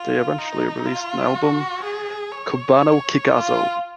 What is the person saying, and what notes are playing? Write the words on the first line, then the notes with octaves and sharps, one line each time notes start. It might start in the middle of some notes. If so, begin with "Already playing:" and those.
They eventually released an album Kubanno Kickasso!
Already playing: F4
D#4
F4
F#4
G#4
C#5
F4